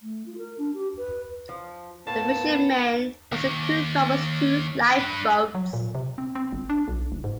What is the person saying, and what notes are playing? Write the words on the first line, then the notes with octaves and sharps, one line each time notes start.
The fishermen also crewed Cromer's two lifeboats.
A3
F4
A#4
D4
G4
B4
F3
A2 A#3 B3 A5
D#2
D4 B4
F#3
A#2
C3
C4
C4
G1
D4
B1
F#1
G#2